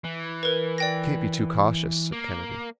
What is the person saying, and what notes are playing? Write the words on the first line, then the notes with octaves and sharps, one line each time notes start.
"We can't be too cautious," said Kennedy.
E3
A#4 B4
D5 G5 A#6
A#3